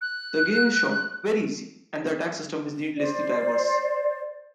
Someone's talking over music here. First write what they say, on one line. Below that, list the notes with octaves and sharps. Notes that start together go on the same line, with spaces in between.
The game is short, very easy, and the attack system is needlessly diverse.
F#6
C5 D5